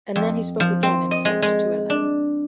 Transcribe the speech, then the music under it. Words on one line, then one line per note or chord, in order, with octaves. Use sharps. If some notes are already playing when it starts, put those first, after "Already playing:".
And then he spoke again in French to Helene.
F2
F3
C4
D#5
G#3
G#3
D4